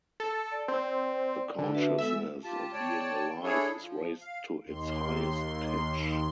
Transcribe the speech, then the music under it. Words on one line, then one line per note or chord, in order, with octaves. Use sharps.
The consciousness of being alive is raised to its highest pitch.
A4
D5
C4
D3
F#4 B4 E5
G#3 B3 A4 E5
F4 G4 A5
C#5 D5 G5 A5
D4 E4 G#4 A4 C#5
F3
F5
D#2 C6